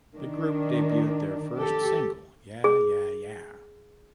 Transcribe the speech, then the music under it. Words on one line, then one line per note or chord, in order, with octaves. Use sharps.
The group debuted their first single Yeah, Yeah, Yeah!
D#3 D4
G4 A4
G#4